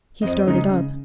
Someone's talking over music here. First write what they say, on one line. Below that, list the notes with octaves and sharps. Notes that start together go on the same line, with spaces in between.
He started up.
F2 D#5
C#3 G#3 D#4
C#3